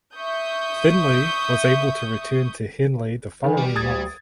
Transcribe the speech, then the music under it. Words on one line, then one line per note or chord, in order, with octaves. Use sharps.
Finlay was able to return to Henley the following month.
E5 C#6 D#6 G6
D#3 E3
G3
D2 D#6 G#6 A6